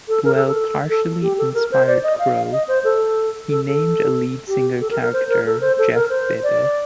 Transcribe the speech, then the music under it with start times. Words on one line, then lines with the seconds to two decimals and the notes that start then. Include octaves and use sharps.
Buell partially inspired Crowe; he named a lead singer character Jeff Bebe.
0.08 A4
0.25 A#4
0.36 A4
0.47 A4
0.89 A4
1.22 G4
1.38 A4
1.54 A#4
1.72 C5
1.87 D5
2.03 D#5
2.19 F5
2.52 D#5
2.68 C5
2.84 A4
3.50 A4
3.66 A4
4.48 G4
4.80 A4
4.91 A#4
5.02 A#4
5.13 C5
5.29 A#4
5.46 A4
5.61 C5
5.78 A4
5.94 A#4
6.10 C5
6.43 D5